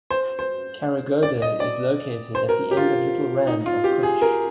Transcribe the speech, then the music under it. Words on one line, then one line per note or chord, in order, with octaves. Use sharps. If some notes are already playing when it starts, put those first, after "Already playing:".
Kharaghoda is located at the end of Little Rann of Kutch.
C5
C5
D5
D#5
D5
C5
A#4
G4
F4
D#4
F4
G4
G#4
A#4